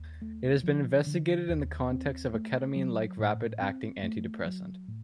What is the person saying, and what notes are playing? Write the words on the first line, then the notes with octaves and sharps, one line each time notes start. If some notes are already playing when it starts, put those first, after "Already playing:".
It has been investigated in the context of ketamine-like rapid acting antidepressant.
Already playing: D#2
A3
F3
D3
D#2
C4
A3
F#3
A2
C4
A3
F#3
A2